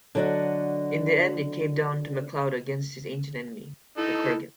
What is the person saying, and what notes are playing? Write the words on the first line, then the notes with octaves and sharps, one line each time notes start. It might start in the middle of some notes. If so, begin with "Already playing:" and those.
In the end, it came down to MacLeod against his ancient enemy, the Kurgan.
D3 F#3 F#4 D5 D#5
D#4 E4 A4